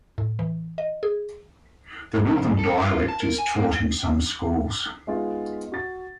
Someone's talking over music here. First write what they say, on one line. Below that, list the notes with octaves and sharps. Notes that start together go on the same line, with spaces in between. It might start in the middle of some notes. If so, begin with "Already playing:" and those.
The northern dialect is taught in some schools.
A2
E3
D#5
G#4
F2
A4
F4
A5
A#4
G#5
A#3
G#3 B3 D#4 F4 G#4
F#4 A6